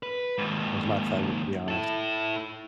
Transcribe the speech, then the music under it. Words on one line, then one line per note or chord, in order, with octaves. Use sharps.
it was my pleasure, to be honest.
B4
D#2 G#2
E4 A4